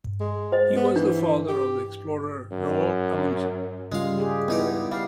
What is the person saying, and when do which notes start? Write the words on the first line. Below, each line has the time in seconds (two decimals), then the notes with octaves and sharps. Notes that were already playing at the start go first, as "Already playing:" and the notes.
He was the father of the explorer Roald Amundsen.
0.20 G#3
0.52 C5 D#5
0.76 B3
0.96 E3 D4
1.48 G4
2.51 F#2
3.92 C#3 G3 G#3 F4 F5
4.18 G4 G#4
4.48 C#2 B3 D#4 E4 G4
4.92 G3 F5